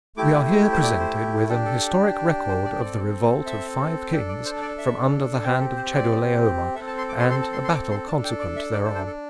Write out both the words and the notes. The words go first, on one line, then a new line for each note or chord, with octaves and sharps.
We are here presented with an historic record of the revolt of five kings from under the hand of Chedorlaomer, and a battle consequent thereon.
A3 E4 G4 D6
D5
C5
C5
D5
C5
D4 G4 A4
A4
C5
D5
C4 A4 D5
E5
D4 A4 G5
D5
C5
D5
E5
C4 G4 G5
A4
C5
D5
C4 A4 E5
A5
C6
D6
C6
C6
A5
C6
C6
D6
C6
D4 A4 A5
G5
D5
E5
D5
C5
C5
A4